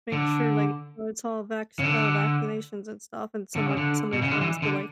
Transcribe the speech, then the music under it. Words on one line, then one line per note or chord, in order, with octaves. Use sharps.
make sure, like, it's all vax uh, vaccinations and stuff and somewhat so many things. But, like,
D3
C#3
D3
D3
C#3
D3
B2
C#3
D3
E3
D3